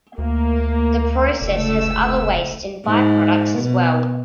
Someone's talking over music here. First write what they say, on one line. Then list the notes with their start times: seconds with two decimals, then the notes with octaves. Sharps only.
The process has other waste and byproducts as well.
0.18 D2 A#3
1.41 F1 C#2 A3 E6
2.86 G#2
3.59 B2